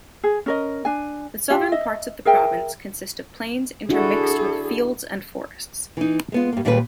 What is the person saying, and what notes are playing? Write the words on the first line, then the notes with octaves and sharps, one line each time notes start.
The Southern parts of the province consist of plains intermixed with fields and forests.
G#4
C#4 A#4 D#5
D4 G#5
F4 G4 E5
D#5 E5
G#4 A#4 E5 G5
D4 E4 F#4 G#4 A4
E3 D#4
G#3 B3 F4
G2 A#3
D#2 A#2 G3 G#3 A4 B4